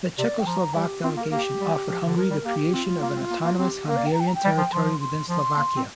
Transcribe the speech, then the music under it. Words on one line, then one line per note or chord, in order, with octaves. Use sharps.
The Czechoslovak delegation offered Hungary the creation of an autonomous Hungarian territory within Slovakia.
C3 D5
G5
F3 A#5
G3 G4
C4 F4
A#3
A#4
A#3 G4
G3
F3
D3
F3 A#4
G3
A#3 G4
C4 F4
A#3
C4
A#3
A#3
C4 G4
A#3 A#4
D5
G5
A#5
G5
A#5
G5
G3
F3
F3 C6
C6
F3 C6
A#3
C4